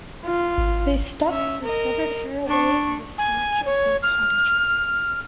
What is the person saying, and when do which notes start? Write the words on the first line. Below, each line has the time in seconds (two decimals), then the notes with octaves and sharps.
They stuffed the severed hair away in the thatch of their cottages.
0.25 F4
0.58 G#1
1.27 C#4 E5
1.63 A#4 D#5
2.47 D4 C#6
3.18 G#5
3.66 C#5
4.03 F6